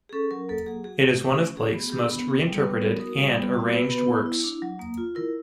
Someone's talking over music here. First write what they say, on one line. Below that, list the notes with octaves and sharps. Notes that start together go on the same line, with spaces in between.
It is one of Blake's most reinterpreted and arranged works.
G#4
C#4 A4
F#3 A#4
A#3 A4
F#3 G#4
F#4 G#4
A3
C#4 G4
A3
F#4 G#4
B3
G#4
D4 G4
B3
D#4 G#4
G3
B4
B3 A#4
F#4 A#4
D#4
G3
B3
F#4
B3 B4
B3
E4
E4
D4
F#3
A#3
F4
E4 A#4